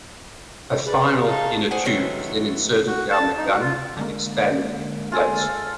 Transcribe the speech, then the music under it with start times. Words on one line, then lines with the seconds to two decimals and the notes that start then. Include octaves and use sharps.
A final inner tube was then inserted down the gun and expanded into place.
0.86 G#4 B4 D5
1.23 D#4 F5 A5
1.71 G#4 A4 C5 D5 F#5 G#5
1.85 D#3 F#3 G#3 A3 B3
2.87 F#4
3.12 A5
3.37 D#4
3.49 F#4
3.61 F4
3.97 D3 G#3 A#3
5.12 F4 G#4 A4